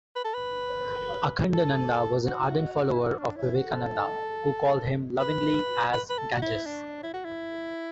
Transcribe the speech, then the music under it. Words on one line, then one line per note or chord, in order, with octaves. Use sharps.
Akhandananda was an ardent follower of Vivekananda, who called him lovingly as "Ganges".
B4
A4
B4
A4
F#4
E4
F#4
D4
E4
F#4
A4
B4
B4
B4
A4
F#4
E4
D4
E4
F#4
E4